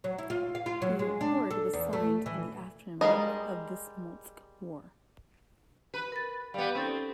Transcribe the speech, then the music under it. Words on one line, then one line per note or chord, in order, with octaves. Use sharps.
The accord was signed in the aftermath of the Smolensk War.
F#3
E4
F4
F5
F4
F#3
G#3
D4
A4
E2
A3
E3
G3 G#3 A#4 D#5
B4
A#4 A6
G3 B3 F5
C4 C#4 D#4 A4